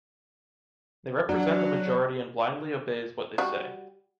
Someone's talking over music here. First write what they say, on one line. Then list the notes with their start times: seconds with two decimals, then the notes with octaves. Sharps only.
They represent the majority and blindly obeys what they say.
1.29 F#3 D4
3.38 G3 F#4